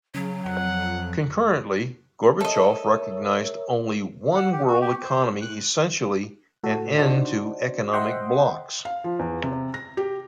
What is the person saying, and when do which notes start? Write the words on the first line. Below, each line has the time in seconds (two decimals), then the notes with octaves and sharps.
Concurrently, Gorbachev recognized only one world economy-essentially an end to economic blocs.
0.14 C#3 F#3
0.45 F2 F#5
2.41 A4 A#4 C#5 D#5 E5
4.35 F#5
4.52 G4
4.68 F#4
4.81 G4
5.02 C5
5.42 F#6
6.64 A2 F#4 A4
6.97 D4 D#4 F#4 C5
7.93 C5 D#5 E5 F#5 G5 C6
8.85 F5
9.04 F3
9.19 E2
9.44 C3
9.74 A#6
9.97 G4